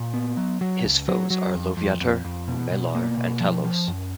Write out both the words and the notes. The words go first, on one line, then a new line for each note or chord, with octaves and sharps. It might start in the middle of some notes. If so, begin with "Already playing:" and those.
His foes are Loviatar, Malar and Talos.
Already playing: A#2
B3
F#3
F#3
C#2
F#3
F#3
F2
F2
F2
F2
B2
B2
A#3
B2
F3
F3
F#2